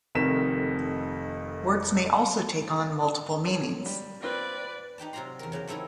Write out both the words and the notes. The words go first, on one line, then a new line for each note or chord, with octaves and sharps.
Words may also take on multiple meanings.
F1 F2 D#3 A#4 B6 E7
F4 C#5
G3
A#3 C4 F4 B4 D5
D#4 G4 G5 A5
C3 F#3 F4 D5 A#5 C6
E2 A#4
C#3 F#3 G4 G5
A3 C4 D#4 E4 A4 A#4